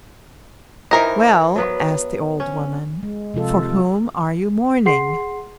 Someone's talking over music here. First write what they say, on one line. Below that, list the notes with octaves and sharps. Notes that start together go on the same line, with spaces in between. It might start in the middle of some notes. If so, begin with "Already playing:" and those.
"Well," asked the old woman, "for whom are you mourning?"
E3 D#4 A#4 C5 C#5 D#5
F#3 B3 B4
C#4
G#3
C3 F3 F4 A4
G#4 F#5 C6 C7